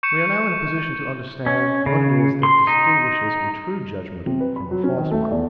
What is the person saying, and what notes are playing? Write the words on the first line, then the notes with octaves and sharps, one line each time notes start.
We are now in a position to understand what it is that distinguishes a true judgement from a false one.
C#6 G6 C#7 E7
C#4
C#3
C6
D#4
C3
B4
B5
F#3
C#4
D#3
A3
E2